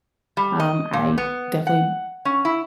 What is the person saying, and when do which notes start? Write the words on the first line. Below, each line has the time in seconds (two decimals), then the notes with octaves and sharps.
um, I definitely
0.37 G3
0.60 D#5
0.93 A#2
1.18 B3
1.67 F#5
2.25 C#4
2.45 E4